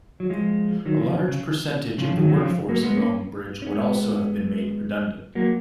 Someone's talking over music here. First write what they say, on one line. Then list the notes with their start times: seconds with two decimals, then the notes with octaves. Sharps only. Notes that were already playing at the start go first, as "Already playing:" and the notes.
A large percentage of the workforce at Longbridge would also have been made redundant.
0.20 F#3
0.30 F3 G#3
0.86 D#3 F#3
1.00 C#3 F3
1.28 C#3
1.98 C#3 F3
2.17 D#3 F#3
2.30 F#3
2.36 C#3 F3
2.69 F#3 A#3
2.83 G#3 B3
2.97 A#3 C#4
3.62 C#4
3.67 G#3 B3
5.35 F#3 A#3